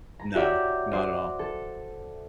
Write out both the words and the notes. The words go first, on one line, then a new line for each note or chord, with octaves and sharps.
No. Not at all.
A#5
F#4 G4 C#5 D5 E5 G5
F#4 C5 D5
A4